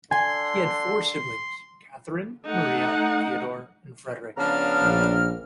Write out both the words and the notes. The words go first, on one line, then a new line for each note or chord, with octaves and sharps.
He had four siblings: Catharine, Maria, Theodore, and Frederick.
D3 G#5 C6
A3 D#4 F#5
C#3 F3 B3 D4 A#5 F6
A#1